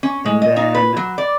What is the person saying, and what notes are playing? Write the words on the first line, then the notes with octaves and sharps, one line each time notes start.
And then,
C#4
G#3
D#5
D#4
B4
F#3
D5